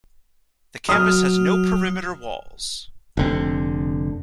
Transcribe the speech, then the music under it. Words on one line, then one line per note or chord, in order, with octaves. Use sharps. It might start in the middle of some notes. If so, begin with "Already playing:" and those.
The campus has no perimeter walls.
F#3 F#4 D#6 F6
F1 D3 C4